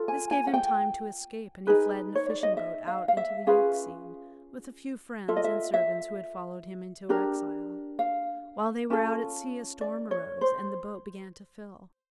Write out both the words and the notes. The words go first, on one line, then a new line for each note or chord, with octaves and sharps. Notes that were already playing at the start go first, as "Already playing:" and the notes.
This gave him time to escape, and he fled in a fishing boat out into the Euxine with a few friends and servants who had followed him into exile. While they were out at sea a storm arose, and the boat began to fill.
Already playing: F4 A4
G#5
G#5
F#5
G5
D#4 G#4 B4
C#5
D5
D#5
E5
F5
F5
E5
C#4 F4 G#4 B4 F5
F4 A4 E5
D#5
E5
E5
D4 G4 A#4
F5
C#4 F4 A4
D5
C#5
C5